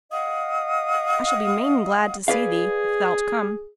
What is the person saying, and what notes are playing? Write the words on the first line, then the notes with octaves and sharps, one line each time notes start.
I shall be main glad to see thee; if thou'lt come.
D#5 F5 F#5 D#6
G#4 B4 D5 F5